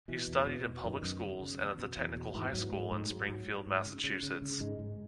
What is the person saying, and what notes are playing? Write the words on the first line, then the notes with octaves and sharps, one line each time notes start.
He studied in public schools and at the Technical High School in Springfield, Massachusetts.
B2 E3
E2
B2
B2
F#2 D#3
F#2
C#3
C#3
E2
B2
E2
B2
G#2 E3
G#2 F#3
G#2 G#3
G#2 A3
G#2 F#3
G#2
G#2
G#2
C#3
C#3
C#3
C#3
G#2 G#3
G#2